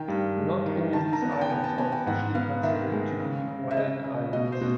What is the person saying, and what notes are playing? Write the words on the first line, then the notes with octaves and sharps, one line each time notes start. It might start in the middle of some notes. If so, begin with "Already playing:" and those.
Not all these islands are officially considered to be Wadden Islands.
Already playing: D#3 G5
G2
G#3
D#3
D#3 A5
A#5
B3
A5
G5
B3 G#5
A5
B3 G#5
G5
G#2 F#5
B3 F5
D#3 E5
G#3
C#3
C#3
E5
C#3 D#5
C#3
B2 D#5
C5
B2